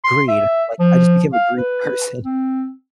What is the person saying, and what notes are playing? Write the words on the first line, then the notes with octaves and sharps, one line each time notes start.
greed, like, I just became a greedy person,
C6
E5
F3
F5
B4
C4